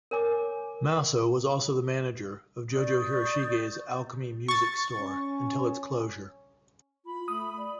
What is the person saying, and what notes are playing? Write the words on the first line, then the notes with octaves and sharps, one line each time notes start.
Maso was also the manager of Jojo Hiroshige's Alchemy Music Store until its closure.
A#4 C#5 G#5 D6
D5 C#6 D#6 G6
C#6 A6
C#4
F4 B5
A3 D#6
D5